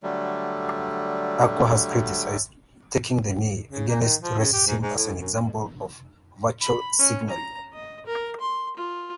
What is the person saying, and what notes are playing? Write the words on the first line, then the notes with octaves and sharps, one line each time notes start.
Akua has criticised "taking the knee" against racism as an example of virtue signalling.
D3 F#3 G3 A3
C#3
A#3
D#3
F3
C#3
G4
G#2
G#2
A2
F#2
B5
C#4
A#5
D#5
A#4
C6
F4